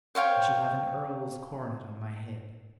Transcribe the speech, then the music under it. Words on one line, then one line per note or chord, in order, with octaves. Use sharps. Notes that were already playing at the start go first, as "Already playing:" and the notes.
I shall have an earl's coronet on my head.
C5 C#5 F5 G5